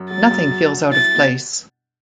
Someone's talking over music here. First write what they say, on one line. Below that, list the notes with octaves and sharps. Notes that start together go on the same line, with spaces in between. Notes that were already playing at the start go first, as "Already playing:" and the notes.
Nothing feels out of place.
Already playing: F#2
F#3 A6
F#2
F#3
F#3
E4 A6
B2